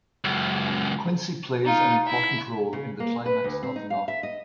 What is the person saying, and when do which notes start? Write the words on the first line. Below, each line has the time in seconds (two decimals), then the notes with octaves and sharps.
Quincey plays an important role in the climax of the novel.
0.24 C#2 F#2
1.65 D#4 F4
2.07 E4 E5
2.73 C#3
3.00 A#3
3.26 B4
3.44 D2
3.63 C4
3.76 D#4
3.90 F5
4.08 E5
4.23 D#5